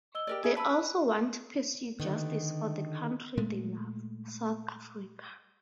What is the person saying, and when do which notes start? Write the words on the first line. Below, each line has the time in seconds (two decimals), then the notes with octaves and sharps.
They also want to pursue justice for the country they love, South Africa.
0.15 D#5 E6 G7
0.27 G4 A#4 D5
0.44 G#4 E5
0.56 C#4 B4 A5 B5 E6
0.70 F#6
2.00 D3 D#3 B3
3.37 A#2 G#3 A3